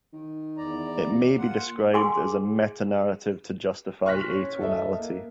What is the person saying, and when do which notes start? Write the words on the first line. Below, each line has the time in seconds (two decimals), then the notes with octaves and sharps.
It may be described as a metanarrative to justify atonality.
0.13 D#3
0.57 E2 D5 A#5
1.06 C3
1.38 A#2 F4 F#5
1.94 G#4 G#5 C6 D6
4.05 C6 C#6 F6 F#6 A#6 B6
4.29 C#4 C#5
4.61 A4 D#5 E5
4.98 A#3